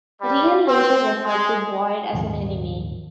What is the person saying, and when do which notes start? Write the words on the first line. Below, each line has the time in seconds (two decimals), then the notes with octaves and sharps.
Riel later referred to Boyd as an enemy.
0.21 G3
0.67 C4
1.24 G#3
2.13 D#1 G#2 D#3 F3